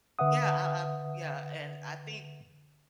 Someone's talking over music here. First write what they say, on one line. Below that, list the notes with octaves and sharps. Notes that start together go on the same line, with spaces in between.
yeah, I I yeah, and I think
D3 B4 E5 F#5 D#6